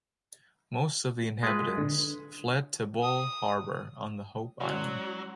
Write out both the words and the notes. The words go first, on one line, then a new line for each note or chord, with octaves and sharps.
Most of the inhabitants fled to Bull Harbour on Hope Island.
G#3 F4 B4
D3
D#6
F#3 G#3 C#4 E4 F#4 C#5 D5 C6